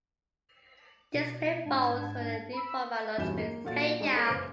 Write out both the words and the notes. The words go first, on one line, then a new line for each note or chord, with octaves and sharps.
This proved false when the new format launched with Hey Ya!
B2
G#2 D4 A5 G#6
B5 E6
D#1 E2 G2 F#3 G6 E7
A#3
A#2 F#3 A4 F5 F#5 A6
G#3 D4 D#4 G4 G#4
C#4 A4 A#4
F#1 C#3 B4 C5 D7